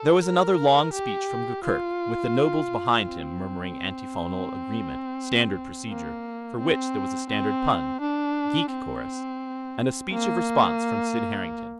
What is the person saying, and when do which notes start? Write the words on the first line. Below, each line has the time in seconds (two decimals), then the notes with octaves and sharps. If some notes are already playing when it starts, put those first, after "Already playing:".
There was another long speech from Gurgurk, with the nobles behind him murmuring antiphonal agreement--standard procedure, for which there was a standard pun, geek chorus--and a speech of response from Sid Harrington.
Already playing: A4
0.23 A#4
0.93 G4
1.64 F4
3.06 C4
5.89 A#3
6.59 C4
7.30 C4
8.01 D4
8.71 C4
10.13 A#3